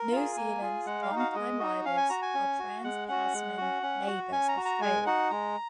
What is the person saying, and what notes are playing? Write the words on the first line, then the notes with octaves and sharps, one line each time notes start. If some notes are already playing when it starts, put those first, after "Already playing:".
New Zealand's long time rivals are Trans-Tasman neighbors Australia.
Already playing: A#4
F4 G#4
A#3 G#5
F4 G#4
G#3 F#5
F5
D#4
F#4 F5
G#3 D#5
D#4 F#4
C#4 F5
G#5
F#4 A#5
G#5
C#4
F#4
G#3 F#5
C#4 F#4 F#5
G#3
C#4 F#4
C#4
F#4
C#4 G#5
A#5
F#4
A#5
G#3 G#5
D#4 F#4 F#5
G#3 A#5